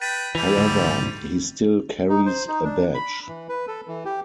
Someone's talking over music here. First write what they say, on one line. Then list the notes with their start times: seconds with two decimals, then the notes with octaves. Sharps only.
However, he still carries a badge.
0.01 B4 G5 A6 B6 D#7
0.35 E3 G3 E4 G6 F7
0.57 D1 D2 G#2
2.09 D#4
2.26 C5
2.48 D#4
2.64 D4
2.94 B5
3.28 E3
3.49 B4
3.67 A4
3.88 E3
4.05 G4